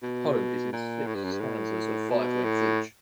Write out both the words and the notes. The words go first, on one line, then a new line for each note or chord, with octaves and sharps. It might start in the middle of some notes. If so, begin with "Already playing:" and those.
The poem is in six stanzas of five lines each.
B2
A#2
A2
G2
F#2
G2
A2
B2
A2